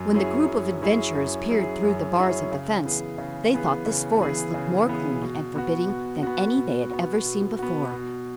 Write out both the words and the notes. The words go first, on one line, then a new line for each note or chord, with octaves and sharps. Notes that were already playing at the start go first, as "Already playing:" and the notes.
When the group of adventurers peered through the bars of the fence they thought this forest looked more gloomy and forbidding than any they had ever seen before.
Already playing: F#2
F#3 C#4 E4 G#4
F#2
F#3 C#4 E4 G#4
F#2
F#3 C#4 E4 G#4
F#2
F#3 C#4 E4 G#4
C#3
E3 B3 G#4
C#3
E3 B3 G#4
C#3
E3 B3 G#4
C#3
E3 B3 G#4
B2
B3 F#4
B2
B3 F#4
B2
B3 F#4
B2
B3 F#4
B2